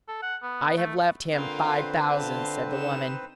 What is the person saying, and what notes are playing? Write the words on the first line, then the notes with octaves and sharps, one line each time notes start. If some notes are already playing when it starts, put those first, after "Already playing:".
"I have left him five thousand," said the woman.
A4
F#5
B3
A3
D3 A#3 C4 F4 B4 C5
F4 A5
D#4 E7